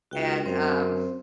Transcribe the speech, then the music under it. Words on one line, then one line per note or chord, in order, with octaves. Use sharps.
and um
C#2 F#4 G5
F#2 C4 C5